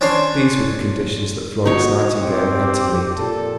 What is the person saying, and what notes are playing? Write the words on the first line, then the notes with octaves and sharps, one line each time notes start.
These were the conditions that Florence Nightingale had to meet.
C#4 D4 C5 C#5 C6
D#4 F#4 C#5
C4 G4
A#2 A4